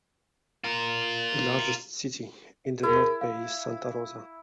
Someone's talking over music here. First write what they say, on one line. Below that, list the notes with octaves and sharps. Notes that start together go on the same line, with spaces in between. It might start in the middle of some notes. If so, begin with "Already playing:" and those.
The largest city in the North Bay is Santa Rosa.
F4 A#4
E4 G#4 A#4
F5